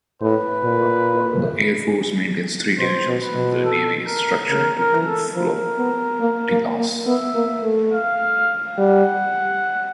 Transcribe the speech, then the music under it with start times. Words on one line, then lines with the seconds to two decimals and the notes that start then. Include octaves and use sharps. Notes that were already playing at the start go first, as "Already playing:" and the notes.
The Air Force maintains three divisions and the Navy is structured into two flotillas.
0.21 A2 B4
0.64 A#2
2.78 B2 C5
3.07 B2
3.21 B4
3.35 B2
3.64 A4
4.07 A#4
4.49 C#3 A#4
4.78 A#4
4.92 E3
5.06 A4
5.35 F3 A#4
5.78 B3
6.20 A#3
6.50 A#3
6.77 A#3
7.06 B3 E5
7.35 A#3
7.63 A3
7.92 F5
8.77 G3 F#5